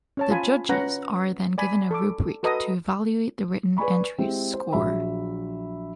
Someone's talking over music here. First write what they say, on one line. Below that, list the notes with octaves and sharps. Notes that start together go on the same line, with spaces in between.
The judges are then given a rubric to evaluate the written entry's score.
C#4 C#5 A5
F4 G#5 B5
C#4 B4 F#5 A#5
D5 G#5 B5
A4 C#6 D6
F#4 A4 B4 D#5 A#5 D#6
B4 D5 G#5 B5 C#6
G#3 C4 E4 G4
C5
A#1 F#3 E5 B5